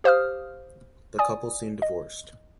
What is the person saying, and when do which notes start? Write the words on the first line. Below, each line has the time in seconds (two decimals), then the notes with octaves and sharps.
The couple soon divorced.
0.04 G4 C5 F5 D#6 F6
1.19 D5 G#5 D#6
1.82 D#5